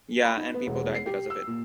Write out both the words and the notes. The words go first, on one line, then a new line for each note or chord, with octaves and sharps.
Ya and people died because of it.
B5
D#4
B3
E1
C7
G4
E6
A#2